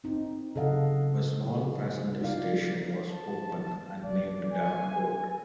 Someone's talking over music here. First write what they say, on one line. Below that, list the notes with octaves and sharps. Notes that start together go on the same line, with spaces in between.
A small passenger station was opened and named Davenport.
C4 D#4
C#3 F#3 A4 D#5 F5 F#5
G3 D#4 F4 D5 F5
A5
D5
G#5